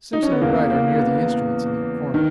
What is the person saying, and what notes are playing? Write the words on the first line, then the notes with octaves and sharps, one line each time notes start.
Simpson and Wright are near the instruments in their corner.
D#4
C#4
B3
E2 C#3 E3 A#3
A#3
B3
D#3